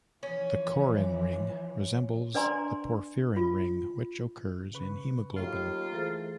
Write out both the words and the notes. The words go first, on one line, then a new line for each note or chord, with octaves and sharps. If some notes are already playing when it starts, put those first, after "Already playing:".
The corrin ring resembles the porphyrin ring, which occurs in hemoglobin.
E3 F3 C#4
D4 B4 D5 G#5 A#5 C6
F4
C#3 B4 C#6
D#2 F#3 A3 C4 F4
E3 A3 E4 G#4 A#4 C5 A6